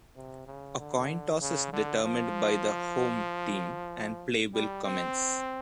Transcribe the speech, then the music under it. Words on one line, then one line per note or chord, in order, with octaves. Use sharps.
A coin toss is determined by the 'home' team and play will commence.
C3
C#3
D3
C#3
D3
F3
G3
C4